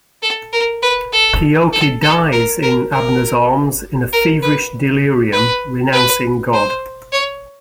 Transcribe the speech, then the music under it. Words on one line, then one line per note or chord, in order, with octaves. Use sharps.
Keoki dies in Abner's arms in a feverish delirium, renouncing God.
A4
A#4
B4
A4
A4
A4
A#4
A#4
A#4
A#4
B4
B4
B4
C5
C#5